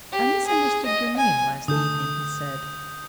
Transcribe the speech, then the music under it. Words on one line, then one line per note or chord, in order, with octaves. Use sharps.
"I misunderstood your name last evening," he said.
G4
G#4
D#5
G#5
D3 A4 D#6 G6